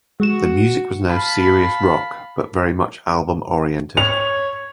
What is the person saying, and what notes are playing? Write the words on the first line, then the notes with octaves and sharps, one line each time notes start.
The music was now serious rock but very much album oriented.
G#3 F#4 E7
F5 A5 B5
C#5 F7